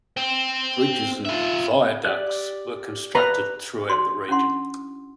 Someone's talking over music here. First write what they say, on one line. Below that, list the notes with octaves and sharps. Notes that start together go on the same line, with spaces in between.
Bridges and viaducts were constructed throughout the region.
C4
F4 E5
G4 D5 F#6
B4 A#5
F#4 C6
C#4 D4 E4 F#5 C6